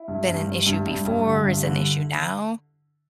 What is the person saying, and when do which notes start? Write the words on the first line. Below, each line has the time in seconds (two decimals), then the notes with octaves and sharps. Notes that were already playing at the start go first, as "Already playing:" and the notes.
been an issue before, is an issue now
Already playing: E4
0.08 G2
0.27 G2
0.47 G2
0.66 G2
0.86 G2
1.05 G2
1.25 D3
1.44 G2
1.63 D3